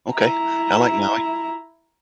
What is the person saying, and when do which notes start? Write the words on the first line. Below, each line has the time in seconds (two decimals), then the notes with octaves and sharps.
Okay. I like Maui.
0.12 E4 A#5